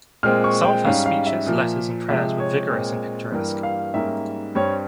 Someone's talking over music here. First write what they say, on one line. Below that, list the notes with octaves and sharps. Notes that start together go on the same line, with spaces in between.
Some of her speeches, letters, and prayers were vigorous and picturesque.
A#2 G#3 C4 F6
C#6
G5
G#2 G3 C#4 F5
F5
E5
A#2 F3 A#3
C3 F3 G#3 E5
C#5
A#2 G#3 C4
G2 E3 G3 A#3
F5
G#2 G3 A#3 C#4 E5
G2 G3 C4 C#5